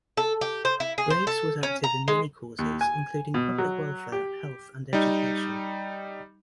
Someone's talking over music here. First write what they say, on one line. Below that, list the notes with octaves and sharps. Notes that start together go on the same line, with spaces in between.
Graves was active in many causes, including public welfare, health, and education.
A4
G4
C5
E4
G#4
C5
A4
C#4
A#5
G#3
D#2
G#5
B2
F#3
G4
G3 D#4